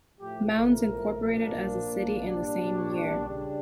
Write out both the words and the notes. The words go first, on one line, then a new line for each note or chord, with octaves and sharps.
Mounds incorporated as a city in the same year.
A2 F3 A3 G4
A#4
A#2 F3 A#3 D4
A#2 G3 D4
C#5
C#3 G3 D4